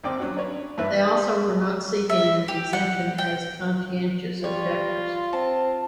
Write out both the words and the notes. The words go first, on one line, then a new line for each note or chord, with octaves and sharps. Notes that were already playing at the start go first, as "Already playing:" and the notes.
They also were not seeking an exemption as conscientious objectors.
G#1 D#3 C4 D5 G5 D6
F#3 C#4 D4 F#4
D4 B4 C#5 D5
G2 E3 E4 B4 F#6
E5
G4
F#5
G5
G3 F4 C#5
C4 A5